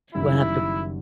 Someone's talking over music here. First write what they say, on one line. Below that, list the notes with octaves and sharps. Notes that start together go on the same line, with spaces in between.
we'll have to
F#1 F#2 D#3 G3 E4